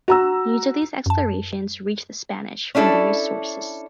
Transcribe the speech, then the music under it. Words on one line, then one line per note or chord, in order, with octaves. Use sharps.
News of these explorations reached the Spanish from various sources.
F#4 A#5 E6
F#2 A5
C#4 D4 E4 A4